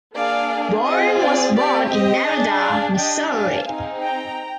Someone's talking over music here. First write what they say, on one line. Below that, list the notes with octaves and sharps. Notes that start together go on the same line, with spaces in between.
Bowring was born in Nevada, Missouri.
A#3 D4 G#4 D5 F5
C4 F4 G#4 D#5
D5
C4 G4 D5
D#5
D4 G#4
D5 F5
D4 G4 D#5 G5
F5 G#5
C4 D#4 G#4
G5 A#5